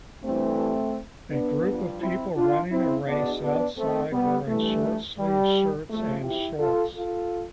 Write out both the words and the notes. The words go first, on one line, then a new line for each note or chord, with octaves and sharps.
A group of people running a race outside wearing shortsleeve shirts and shorts.
G2 E3 A3 C4
B3 D4
G2 F3
C4 E4
D4 F4
C4 E4
E2 B2 B3 D4
B3 D4
A3 C4
G3 B3
G2 E3 A3
G3
E2 C3 F3 A3
E4 G4
F4 A4
F4 A4